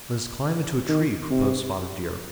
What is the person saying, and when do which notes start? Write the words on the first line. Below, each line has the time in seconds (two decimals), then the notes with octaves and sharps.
"Let us climb into a tree," proposed Spotted Deer.
0.89 D#3
1.31 C3